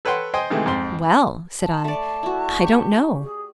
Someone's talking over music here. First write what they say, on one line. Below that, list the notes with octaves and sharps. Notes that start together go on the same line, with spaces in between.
"Well," said I, "I don't know."
A4 B4 C#5 F#5 G5 C6
C5 D#5 G5 G#5 C6 D#6
C3 D#3 E3 G#3 A3
F2 G#2 C4 C6
A5
A3 D5
E4 F#4
G4 C#6
G#4